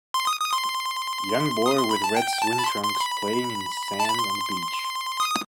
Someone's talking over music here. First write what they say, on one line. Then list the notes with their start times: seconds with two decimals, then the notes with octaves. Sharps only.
Young boy with red swim trunks playing in sand on the beach.
0.14 C6
0.27 D#6
0.40 D#6
0.53 C6
1.66 D#6
1.78 C6
1.91 B5
2.04 A5
2.16 G5
2.42 A5
2.59 B5
2.66 C6
2.84 C6
3.01 B5
4.00 A5
4.09 B5
4.19 C6
5.20 D#6